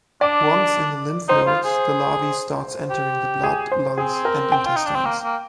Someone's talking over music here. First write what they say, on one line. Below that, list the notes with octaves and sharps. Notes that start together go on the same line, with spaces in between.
Once in the lymph nodes, the larvae starts entering the blood, lungs, and intestines.
D4 D5
D#4 C5
F4
G#4
G4
G#4
C5
C4 G#4
A#4
G5
F4
D#4
D4
C4
A#3
A#3